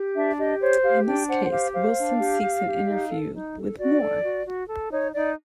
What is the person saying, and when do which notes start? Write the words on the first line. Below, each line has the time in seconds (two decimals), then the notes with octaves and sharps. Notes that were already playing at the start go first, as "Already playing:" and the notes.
In this case, Wilson seeks an interview with Moore.
Already playing: G4
0.15 D4 E5
0.38 G4 D#5
0.61 C5 C#5
0.83 G4 F5
1.07 D4 G5
1.28 C5 F#5
1.44 F#5
1.51 G4 F5
1.74 C5 F5
1.97 D4
2.19 G4
2.42 G4
2.66 G4
2.88 D#4
3.10 A4
3.33 D#4
3.56 A4
3.78 F#4 D5
4.00 A4
4.24 F#4
4.46 F#4
4.69 A4
4.91 D#4 C#5
5.14 D#4 D5